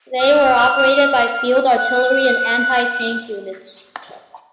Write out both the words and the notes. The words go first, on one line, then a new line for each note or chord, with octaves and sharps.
They were operated by field artillery and anti-tank units.
F6
F#6